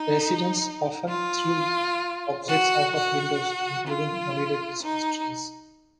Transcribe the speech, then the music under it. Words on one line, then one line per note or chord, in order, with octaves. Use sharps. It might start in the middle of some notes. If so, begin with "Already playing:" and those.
Residents often threw objects out of windows including holiday Christmas trees.
Already playing: D#4
F4
F#4
F#4
F4
D#4